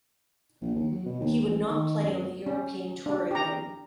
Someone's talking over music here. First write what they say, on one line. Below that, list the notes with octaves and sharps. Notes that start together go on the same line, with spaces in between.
He would not play on the European Tour again.
A#1
D#2
F#3
B2
D#2
A1
D#3
F#2
C#4
D4
G4 A#5